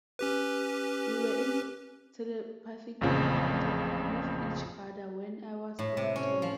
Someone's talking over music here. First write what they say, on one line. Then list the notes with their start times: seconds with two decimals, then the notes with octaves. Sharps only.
We were in telepathic contact with each other when I was on tour.
0.19 C#4 G4 B4
3.01 A1 F2 A#2 C#3 F3
5.79 A2
5.97 C3
6.16 C#4
6.42 F3